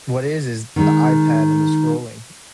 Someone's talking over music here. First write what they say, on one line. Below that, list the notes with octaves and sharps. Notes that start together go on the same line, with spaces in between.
What it is is the iPad and the scrolling.
D#3 G#3